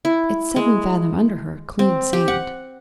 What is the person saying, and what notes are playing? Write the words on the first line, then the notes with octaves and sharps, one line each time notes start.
It's seven fathom under her--clean sand.
E4
G#3
C4
G4
F#5